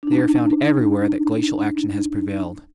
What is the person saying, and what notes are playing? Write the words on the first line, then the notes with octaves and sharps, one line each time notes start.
They are found everywhere that glacial action has prevailed.
D4 D#4